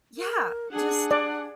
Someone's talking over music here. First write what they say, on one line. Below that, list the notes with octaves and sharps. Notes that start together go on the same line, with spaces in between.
yeah, just
A#4
D4 G#4 F#5
D5